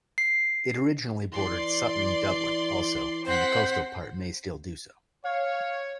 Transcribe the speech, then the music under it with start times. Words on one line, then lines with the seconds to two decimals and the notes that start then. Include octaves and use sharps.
It originally bordered Sutton, Dublin also, and the coastal part may still do so.
0.18 C7
1.32 E3 D5 C6
3.25 C4 C5 F#5 B6
5.25 C#5 F5